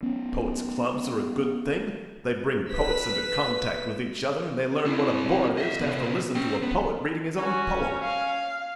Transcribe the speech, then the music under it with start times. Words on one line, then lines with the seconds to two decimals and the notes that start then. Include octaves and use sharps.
Poets' Clubs are a good thing; they bring poets into contact with each other, and they learn what a bore it is to have to listen to a poet reading his own poem.
0.02 B3 C#4
2.71 B4 E6 B6
4.85 C4 E4
5.58 D#5 E5
5.80 C3 B3
6.35 C#4 G5
6.62 B3
7.38 C#4 F#4
8.02 F5